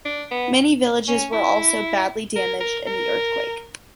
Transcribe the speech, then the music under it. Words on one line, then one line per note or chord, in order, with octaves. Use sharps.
Many villages were also badly damaged in the earthquake.
D4
B3
C#4
E4
A#4
A#4
A#4